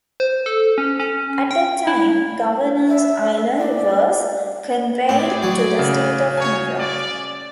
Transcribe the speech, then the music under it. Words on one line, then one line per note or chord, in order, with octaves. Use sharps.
At that time Governors Island was conveyed to the State of New York.
C5
A4
C#4
C#4
G5
E4
E5
D5
A2 C4 G#4 D5
F#3
C#3
C#5 G#5
D5